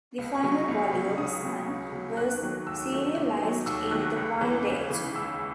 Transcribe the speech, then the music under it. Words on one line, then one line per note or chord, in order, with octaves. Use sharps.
The final volume, "Sun", was serialized in "The Wild Age".
C#2
C#6
C#3 F#3
C#6
C#2
C#3 F#3
C#2 D#6
C#3 F#3
C#2
C#3 F#3
D#2 F#6
D#3 F#3 A3
D#2 E6
D#3 F#3 A3
D#2
D#3 F#3 A3
D#2 E6
D#3 F#3 A3 F#6
C#2
C#3 E3
C#2
C#3 E3
C#2 E6